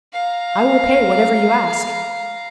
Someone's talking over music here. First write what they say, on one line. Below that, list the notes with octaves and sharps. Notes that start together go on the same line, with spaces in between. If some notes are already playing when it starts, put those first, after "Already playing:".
"I will pay whatever you ask."
F5 A#5